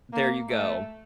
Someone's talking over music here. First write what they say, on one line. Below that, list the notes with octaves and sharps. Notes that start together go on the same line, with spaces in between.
There you go.
A#3
A3